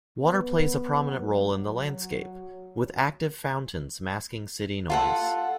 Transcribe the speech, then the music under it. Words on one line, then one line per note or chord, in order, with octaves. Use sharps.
Water plays a prominent role in the landscape, with active fountains masking city noise.
B3
F#3
F4 A4 F#5